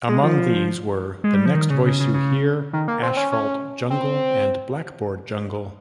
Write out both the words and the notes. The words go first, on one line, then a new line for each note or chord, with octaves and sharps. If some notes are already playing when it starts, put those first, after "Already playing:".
Among these were "The Next Voice You Hear", "Asphalt Jungle", and "Blackboard Jungle".
G#3
F3
G#3
G3
F3
D#3
C#3
C#3
C#3
C#3
D#3
A#3
C4
C#4
C#4
C4